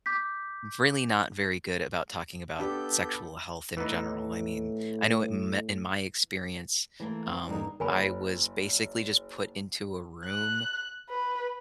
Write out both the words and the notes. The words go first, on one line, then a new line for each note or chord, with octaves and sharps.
really not very good about talking about sexual health in general, I mean, I know in me in my experience, um, I was basically just put into a room,
D6 G6 B6
B3 D4 G4 A4 G6
A2 E3 B3 D#4
E3 A3 A#3
C4
G2 D3 E3 A#3 D#4
F#1 A#4 G#5 B5
F#6
B4